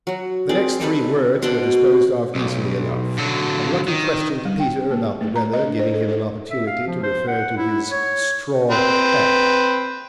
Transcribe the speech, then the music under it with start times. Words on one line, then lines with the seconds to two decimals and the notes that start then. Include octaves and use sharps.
The next three words were disposed of easily enough, a lucky question to Peter about the weather giving him an opportunity to refer to his straw hat.
0.07 F#3 F#4
0.49 C4 G#4 A#4 D5
0.80 G3 D#4 A4 B4
1.42 B2 D4 C5 F#5
2.35 B1
3.18 D3 F#3
3.88 D#3
4.45 G3
4.60 G5
4.91 A#3
5.21 A3
5.36 A#5
5.53 D#5
5.66 D4
5.79 C5
5.94 A4
6.08 A4
6.50 E5
6.67 F5
6.87 F3
7.03 C5
7.28 F#5
7.57 E4
7.90 C#5
8.71 C4 B4